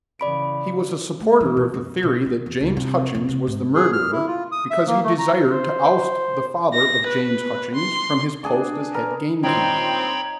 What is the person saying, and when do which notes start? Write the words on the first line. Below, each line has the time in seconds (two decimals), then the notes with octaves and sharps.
He was a supporter of the theory that James Hutchings was the murderer because he desired to oust the father of James Hutchings from his post as head-gamekeeper.
0.20 C#3 E3 D5 B5 D7
1.20 A3
1.40 E3
1.57 B2
1.74 F#2
2.03 B2
2.26 D#3
2.46 E2
2.61 C#2
2.77 C3
3.15 F2
3.29 C3
3.47 G#2
3.75 G#4
3.93 F6
4.12 E4
4.27 F4
4.52 D#6
4.71 E5
4.87 A#3
5.04 A3
5.18 A#5
5.49 C5
6.74 A#6
7.08 B4
7.75 C6
8.43 D4 G#4 D5
8.94 A#4 B4
9.43 G2 A#2 D#3 C4 D#4 C#5 G5 B5